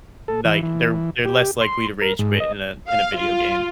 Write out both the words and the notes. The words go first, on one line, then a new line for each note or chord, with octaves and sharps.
like, they're they're less likely to rage quit in a in a video game,
A4
E3
E3
G4
C6
A#4
G#2
D#5
F5
F4